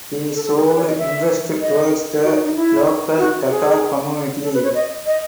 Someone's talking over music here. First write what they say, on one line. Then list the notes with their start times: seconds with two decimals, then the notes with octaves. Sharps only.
He showed interest towards the local Tatar community.
0.35 A4
0.46 A4
0.56 G#4
0.67 B4
0.77 C#5
0.88 D#5
0.98 E5
1.61 D#5
2.24 F#4
2.34 D#4
2.45 D#4
2.55 E4
3.18 F#4
3.49 G#4
4.44 A4
4.54 B4
4.64 C#5
4.74 D#5
5.06 D#5